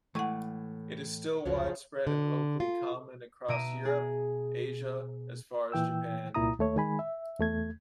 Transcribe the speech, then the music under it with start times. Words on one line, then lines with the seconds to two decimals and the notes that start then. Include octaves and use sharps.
It is still widespread and locally common across Europe, Asia as far as Japan.
0.15 A2 E3 G#3 A3 F#5 G#5 C#6
1.45 F1 C#2 C#3 F3 F#3
2.07 D3
2.60 F4
3.48 B2 E5 A#5 D7 D#7
3.85 G#4
5.72 A#2 E3 G5 E6
6.35 C2 A#2 E4 A#5 D#6
6.59 D#2 A3 C#5
6.76 D#3 G#3 G#5 B5
6.99 E5
7.39 E2 A3 G#6